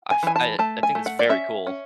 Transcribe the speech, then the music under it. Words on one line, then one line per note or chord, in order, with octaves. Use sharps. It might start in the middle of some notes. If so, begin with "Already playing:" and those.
I f I, uh I think it's very cool.
G#5
E3 G#5
A5
A3 A5
G#5
A3
F#5
D5
C#4 E5
C#4